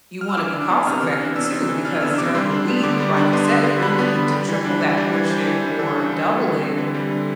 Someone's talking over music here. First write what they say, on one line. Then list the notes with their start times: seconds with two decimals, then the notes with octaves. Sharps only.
you wanna be cost effective too because during the week, like you said, if you're looking to triple that portion or double it,
0.21 F6
0.29 E6
0.37 E3 D6
0.53 D4
0.70 B3
0.87 C3 F6
1.03 E3
1.19 D4
1.36 B3 E6
1.52 C3
1.69 E3
1.85 D4 F6
2.02 B3 E6
2.18 C3 D6
2.34 G3 C6
2.51 D4
2.68 B3
2.83 D3 D6
3.00 G3
3.17 D4
3.33 B3 C6
3.49 D3
3.66 G3
3.82 D4 B5
3.99 B3
4.16 D3
4.31 G3 B5
4.48 E3
4.64 D4
4.81 E3
4.97 G3
5.14 E3
5.30 D4 C5
5.47 E3
5.63 G3
5.79 E3 A4
5.96 D4
6.12 E3
6.29 G3
6.46 D3
6.62 C4
6.78 D3 B4
6.94 G3
7.11 D3